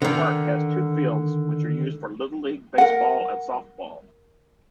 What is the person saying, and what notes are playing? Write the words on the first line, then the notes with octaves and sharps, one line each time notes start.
The park has two fields which are used for little-league baseball and softball.
D3 D#3
A#4 F#5